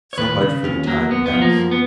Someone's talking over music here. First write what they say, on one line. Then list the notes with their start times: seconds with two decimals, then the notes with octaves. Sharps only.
So much for the time past.
0.13 C#5
0.18 D#2 B4
0.41 C#3
0.64 D#2 C#4
0.87 F#3 A#3
1.10 F#2 B3
1.26 B3
1.33 F3
1.42 A#3
1.57 F#2
1.71 B3